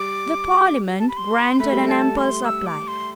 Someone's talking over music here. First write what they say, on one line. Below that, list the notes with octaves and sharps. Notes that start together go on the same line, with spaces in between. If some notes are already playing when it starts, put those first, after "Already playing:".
The Parliament granted an ample supply.
Already playing: G3 D6
A5
B5
C6
A3 B5
G3
A3 A5
C6
E6
D6
C6